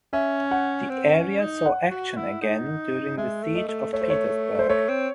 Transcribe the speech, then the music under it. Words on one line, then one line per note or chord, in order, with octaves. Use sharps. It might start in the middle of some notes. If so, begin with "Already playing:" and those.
The area saw action again during the Siege of Petersburg.
C#4 E5
F#5
C4
C#4
D#4
F#5
F#4
E4
D#4
G#3 E5
A3
D#5
A3
A3 C#5
C5
C#5
C5
A3 C#5
C4